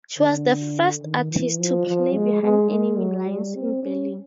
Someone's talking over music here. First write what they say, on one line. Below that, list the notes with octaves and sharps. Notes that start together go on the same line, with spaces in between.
She was the first artist to play behind enemy lines in Berlin.
D3
D#3
E3
F3
F3
G#3
G#3
G#3
F#3
G3
C4
C#4